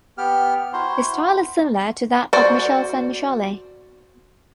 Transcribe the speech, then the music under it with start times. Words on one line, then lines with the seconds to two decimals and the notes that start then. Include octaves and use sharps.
The style is similar to that of Michele Sanmicheli.
0.18 B3 G4 F6
0.73 E4 F#4 C5 A#5 C6
2.33 F#4 C5 D5